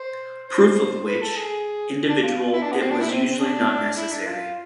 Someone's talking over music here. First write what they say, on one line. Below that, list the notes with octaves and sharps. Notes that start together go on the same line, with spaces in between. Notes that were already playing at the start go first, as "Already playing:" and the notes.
Proof of "which" individual it was is usually not necessary.
Already playing: C5
C5
B4
A4
G#4
D4
F4
E4
D4
B3
C4
D4
E4
C4
C4
D4
E4
D4
F4